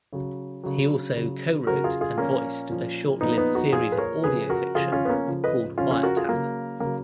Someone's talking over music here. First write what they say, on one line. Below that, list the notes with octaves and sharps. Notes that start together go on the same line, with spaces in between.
He also co-wrote and voiced a short-lived series of audio fiction called "Wiretap".
C#3 F#3
C#3 F#3
C#3 F#3
C#3 F#3 F#4 A#4
F4 G#4
F4 G#4
A#2 F3 A#3 C#4
A#2 F3
A#2 F3 B3 D#4
B3 D#4
D#4 F#4
A#2 F3 F4 G#4
B4
A#4 C#5
C#3 F3 G#4 B4
F#4 A#4
C#3 F3 F4 G#4
C#4 F4
B3
A#3 C#4
C#3 F3
B4 D#5
C#3 F3 C#4 F4
C#4 F4
F#4 A#4
F4 G#4
C#3 F#3 A#3
C#3 F#3 A#3